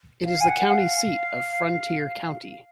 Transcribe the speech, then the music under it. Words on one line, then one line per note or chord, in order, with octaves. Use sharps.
It is the county seat of Frontier County.
F5
G#5
F#5
F5